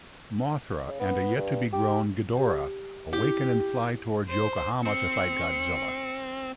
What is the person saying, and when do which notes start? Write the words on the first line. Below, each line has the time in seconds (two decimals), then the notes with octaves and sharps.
Mothra and a yet-to-be-grown Ghidorah awaken and fly towards Yokohama to fight Godzilla.
0.87 C#3
1.00 B3
1.37 G2
1.73 G4
2.37 G4
3.13 E4 G4
4.29 C5
4.85 C4 C#7